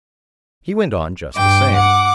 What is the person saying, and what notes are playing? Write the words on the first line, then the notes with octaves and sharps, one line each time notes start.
He went on just the same.
G2 G5 D6
F#5 D6